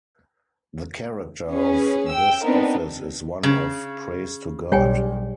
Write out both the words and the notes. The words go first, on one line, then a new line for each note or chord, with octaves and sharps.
The character of this office is one of praise to God.
C#4 G#4 B4
G5 E6
B3 C4 D4 D#4 A#4 B4
C#3
B1 G3 C#5 G5 G#5